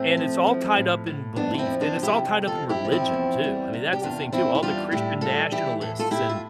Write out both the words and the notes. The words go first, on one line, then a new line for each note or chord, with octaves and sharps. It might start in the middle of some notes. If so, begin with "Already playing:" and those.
and it's all tied up in belief, and it's all tied up in religion too, I mean, that's the thing too, all the Christian nationalists and,
Already playing: A2 A3 C4
F3
F3
A2
A2
F2 B3 D4
F4
C4 E4
F3
D4 F4
C3
E4 G4
F2
G4
F4 A4
F2
E4 G4
F3
C4 E4
E2
G3
C3
G4
E2 D4 F4
E2 C4 E4
E4
G3 D4 F4
A2 E4 G4
G3 F4 A4
E3 E4 G4
A2 A4
F4 A4
A2 E4 G4
F4